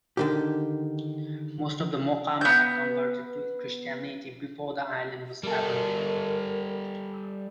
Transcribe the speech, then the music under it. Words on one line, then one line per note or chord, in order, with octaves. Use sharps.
Most of the Mocama had converted to Christianity before the island was abandoned.
D3 D#3 G4
B3 G6
G3 A4 A#4